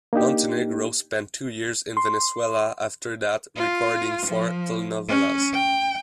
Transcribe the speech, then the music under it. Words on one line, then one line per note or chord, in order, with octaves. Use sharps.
Montenegro spent two years in Venezuela after that, recording four telenovelas.
A#3 D4 D#4 G4
C6
F4
F3
C#4
G5